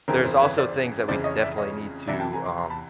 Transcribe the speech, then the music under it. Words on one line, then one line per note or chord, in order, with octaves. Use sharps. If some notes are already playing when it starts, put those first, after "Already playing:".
there's also things that we definitely need to, um,
G1 F2 C#3 E3 A#4 C5
A#4 C5
B4 C#5
C5 D5
F1 F2 C#3 E3 C5 D5
C#5 D#5
D5 E5
C#5 D#5
C2 C3 E3 D5 E5
G5 A5
G#5 A#5
A#5 C6
A#5 C6
A5 B5